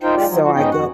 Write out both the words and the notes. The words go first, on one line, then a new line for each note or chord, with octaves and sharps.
So, I go
D#4 F4 A#4 C5 G5
G#3 F4 G4 D5
F3 F#3
F3 F#4
G#2 B3 C#4 D#4 D#5 G5
F2 F#4 F#5